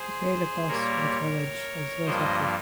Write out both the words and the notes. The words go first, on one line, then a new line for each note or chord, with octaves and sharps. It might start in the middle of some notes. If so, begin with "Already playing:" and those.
She played lacrosse for the college as well as hockey.
Already playing: G#4 C5
A#2 G3 A#3 A#4 C#5
G2 F3 A#3 C5 D#5